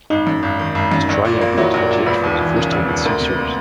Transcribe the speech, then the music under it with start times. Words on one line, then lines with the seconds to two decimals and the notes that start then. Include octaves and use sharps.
Australia beat Egypt for the first time in six years.
0.10 G#1 D#4
0.27 F#2
0.43 G#1
0.59 D#3
0.75 G#1
0.92 F#2
1.09 A#1
1.25 A#2
1.41 A#3
1.58 F#3 E4
1.74 A#1
1.83 A#4
1.91 A#2
2.06 E1 B4
2.24 D#2
2.39 E3
2.56 C#3 A#4
2.72 E1
2.88 D#2
3.05 D2 A#4
3.21 C3
3.30 B4
3.39 A#3